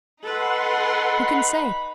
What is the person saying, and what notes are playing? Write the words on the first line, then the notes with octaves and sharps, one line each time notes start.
Who can say?
D#4 A4 B4 F#5 B5 C6